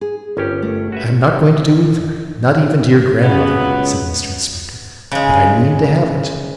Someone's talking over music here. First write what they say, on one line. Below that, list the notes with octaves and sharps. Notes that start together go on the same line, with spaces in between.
'I am not going to do either, not even to your Grandmother,' said Mr Inspector; 'but I mean to have it.
G#4
G1 C#4 G4 A#4
A3
F#4 B4 E5
C#3 F#3 B3
C#2
C#3 G#3